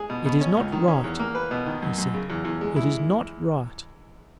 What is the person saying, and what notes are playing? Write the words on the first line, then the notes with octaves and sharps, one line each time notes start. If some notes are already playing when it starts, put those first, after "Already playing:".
"It is not right," he said; "it is not right."
Already playing: G#3 G#4
B2
B2
C#4
C#2
D#3
C#4
E2
A#3
B4
B2
D#3
F#2
F#2
C#3
E2
E2
G#3
E4